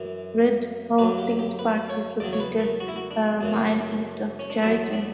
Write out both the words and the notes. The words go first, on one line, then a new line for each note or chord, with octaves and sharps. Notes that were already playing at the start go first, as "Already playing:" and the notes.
Red Haw State Park is located a mile east of Chariton.
Already playing: F#2 E3
F#2 D3 F#3 B4
G4
G4
B4
C#5
E2 C#3 F#3 D5
C#5
B4
A#4
F#4
E4
F#4
D4
F#2 C#3 E3
C#4
D4
E2 D3 F#3 E4
D4